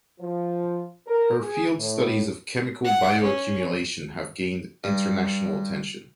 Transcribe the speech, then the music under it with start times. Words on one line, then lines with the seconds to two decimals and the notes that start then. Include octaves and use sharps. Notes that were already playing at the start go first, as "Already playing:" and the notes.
Her field studies of chemical bioaccumulation have gained international attention.
0.20 F3
1.08 A#4
1.42 G#4
1.78 A2
2.85 F#5
3.22 C#4
4.84 G2